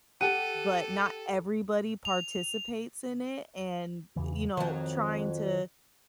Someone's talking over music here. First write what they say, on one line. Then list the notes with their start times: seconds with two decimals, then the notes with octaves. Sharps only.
but not everybody participates in it, and, you know, trying to
0.21 G4 A4 F#5 D#7
2.05 F7
4.16 E2 C#3 E3
4.57 F2 D#3 F#3